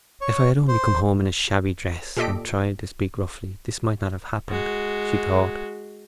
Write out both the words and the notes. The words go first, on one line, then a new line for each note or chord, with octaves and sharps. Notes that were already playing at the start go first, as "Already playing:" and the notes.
"If I had only come home in a shabby dress, and tried to speak roughly, this might not have happened," she thought.
C#5
C5
A#2 G4 A4 D#5 B6 D7
G#3 F#4